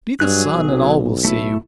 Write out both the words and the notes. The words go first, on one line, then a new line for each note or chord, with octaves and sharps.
Be the sun and all will see you.
G2 F#3 G#4 F#6
B1
A3 E4